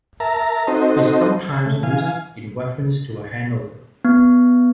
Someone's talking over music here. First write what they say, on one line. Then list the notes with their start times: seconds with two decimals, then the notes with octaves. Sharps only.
It's sometimes used in reference to a hangover.
0.20 A#4 E5 A5 A#5
0.67 C4 D#4 F#4 A4 C5 D#5
1.66 C#3 A3
1.83 E3 F5 G#5
4.05 B3